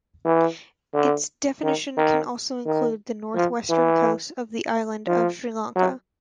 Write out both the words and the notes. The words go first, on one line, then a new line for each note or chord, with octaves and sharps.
Its definition can also include the northwestern coast of the island of Sri Lanka.
E3
D3
D#3
D#3
D#3
F3
E3
F3
F#3